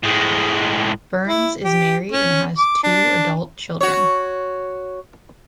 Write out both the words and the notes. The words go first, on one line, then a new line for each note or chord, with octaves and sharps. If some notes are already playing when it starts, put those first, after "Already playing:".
Burns is married and has two adult children.
A2 G#3
E4
G4
C#4
D6
D4
F#4 C#5